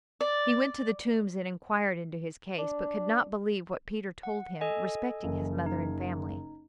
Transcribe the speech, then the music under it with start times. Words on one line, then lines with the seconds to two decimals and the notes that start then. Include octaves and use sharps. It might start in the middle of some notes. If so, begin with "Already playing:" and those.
He went to the Tombs and inquired into his case, but could not believe what Peter told him respecting his mother and family.
0.21 D5
2.58 D4
4.23 F#5
4.61 A4 D#5 G#5
5.24 F#1
5.66 D#4